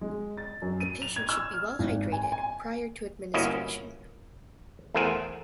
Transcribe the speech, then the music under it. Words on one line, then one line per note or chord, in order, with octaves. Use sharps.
The patient should be well-hydrated prior to administration.
G#3
A6
F#2
D#7
F7
G#6
E6
F6
G#1
G#5
G#5
G1 A#3 C#4 E4 F#4 D#5
E2 A3 A#4 C5 F#5 G#5